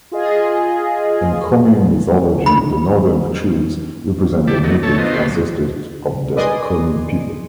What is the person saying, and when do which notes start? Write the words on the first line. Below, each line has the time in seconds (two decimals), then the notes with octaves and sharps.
In Komi mythology, the Northern Chudes represent the mythic ancestors of the Komi people.
0.12 F4 G#4 D#5
2.46 B5
4.47 E4 G4 A4 D5
4.63 A3 B3 D#4 F#4
4.83 A#2 D#3 A3 A4 C#5 A5
4.98 A3 B3 F4 C5 D#5
5.14 C#4 G4 A4 B4 C6
5.26 A#2 F#3
6.36 B4 D5 D#5 G#5 C6 D#6